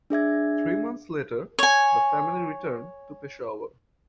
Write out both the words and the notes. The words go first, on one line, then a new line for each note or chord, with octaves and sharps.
Three months later, the family returned to Peshawar.
D4 G#4 E5 G#6
C#5 G#5